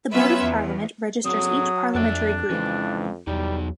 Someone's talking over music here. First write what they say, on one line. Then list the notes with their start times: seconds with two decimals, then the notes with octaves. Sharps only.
The board of parliament registers each parliamentary group.
0.12 F#3 B3 C#4 F4 B4 E5
0.44 E2
1.26 F#3 C4 G#4 A4 D#6
1.95 F2 D4 A4 D5 E5
2.50 F2 E3 G#3 C#4
3.27 E2 F#3 G3 D#4